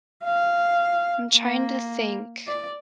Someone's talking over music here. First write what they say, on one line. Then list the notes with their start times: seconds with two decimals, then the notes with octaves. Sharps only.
I'm trying to think,
0.24 F5
1.32 A#3
2.47 D5